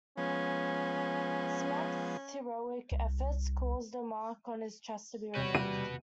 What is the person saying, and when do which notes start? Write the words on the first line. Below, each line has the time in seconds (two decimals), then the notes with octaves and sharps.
Smax's heroic efforts cause the mark on his chest to be removed.
0.17 F3 G#3 B3 C#4
2.92 C2
5.35 E2 C3 F#4 B4 C#5 G6
5.55 G3 D#7